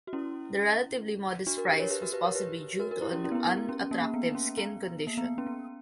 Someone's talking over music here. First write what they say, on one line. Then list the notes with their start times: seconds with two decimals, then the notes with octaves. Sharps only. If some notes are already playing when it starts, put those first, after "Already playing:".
The relatively modest price was possibly due to an unattractive skin condition.
0.07 F#4
0.13 C#4 E4
1.46 D4 F#4
1.57 F#4 A#4
1.69 G4 B4
1.79 A#4 C#5
1.90 G4 B4
2.02 F#4 A#4
2.12 G4 B4
2.24 A#4 C#5
2.35 G4 B4
2.79 F#4 A#4
2.91 F#4 A#4
3.01 E4 G4
3.13 C#4 E4
3.24 C#4 E4
3.31 B3
3.35 C#4
3.47 B3
3.57 B3
3.69 C#4
3.80 C#4
3.91 A#3
4.02 A#3
4.14 B3
4.35 C#4
4.57 B3
5.07 A#3
5.17 B3
5.38 C#4
5.47 B3